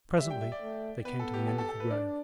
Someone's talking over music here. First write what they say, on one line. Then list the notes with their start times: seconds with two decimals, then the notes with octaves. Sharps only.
Presently they came to the end of the grove.
0.20 G3 E5
0.31 G5
0.41 E5
0.52 D5
0.62 A3
1.05 B3 B4
1.19 A4
1.34 G4
1.48 A4
1.58 A4
1.69 A4
1.80 B4
1.91 D4 D5